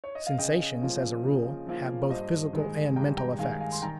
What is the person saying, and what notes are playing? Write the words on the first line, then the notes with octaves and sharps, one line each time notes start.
Sensations, as a rule, have both physical and mental effects.
C#5
D#5
F5
C#3 D#5 G5
F3 A#3 F4
C#3
F3 A#3 F4
G2 C5 D#5
D#3 G#3
G2 G5 A#5
G5 A#5
D#3 G#3 F5 G#5
F5 G#5
C6
D#3 G5 A#5